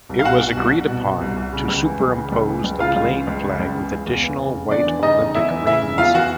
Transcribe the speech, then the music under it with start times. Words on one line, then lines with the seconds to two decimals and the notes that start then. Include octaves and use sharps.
It was agreed upon to superimpose the plain flag with additional white Olympic rings.
0.09 C2
0.19 F5
0.24 B2 F#4 F#5
0.41 B2
0.57 C2
0.73 C2
0.88 B2
1.05 B2
1.21 C2
1.36 C2
1.53 C#3
1.68 C#2
1.84 E3
2.00 C#2
2.16 C#3
2.32 C#2
2.49 E3
2.64 C#2
2.80 C#3 F4 F5
2.96 C#2
3.11 E3
3.27 C#2
3.43 C#3
3.60 C#2
3.75 E3
3.92 C#2
4.07 E2
4.23 E3
4.39 C#3
4.55 F1
4.70 E2 D4 D5
4.87 E3
5.02 C#3 D#4 D#5
5.19 F1
5.35 E2 E4 E5
5.51 E3
5.67 C#3 E4 E5
5.83 F1
5.98 E2 F4 F5
6.14 E3 F#4 F#5